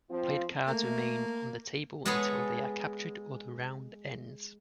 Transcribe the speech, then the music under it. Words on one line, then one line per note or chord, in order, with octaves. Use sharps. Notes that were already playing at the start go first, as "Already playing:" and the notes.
Played cards remain on the table until they are captured or the round ends.
F3 C4 F4
A3 A#3
G#3 B3 G#4 A4 C#5